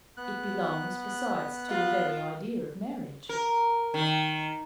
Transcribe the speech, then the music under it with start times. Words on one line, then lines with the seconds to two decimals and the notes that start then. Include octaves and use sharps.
"It belongs, besides, to the very idea of marriage."
0.17 B3 F#6
1.69 F4
3.29 A#4
3.94 D#3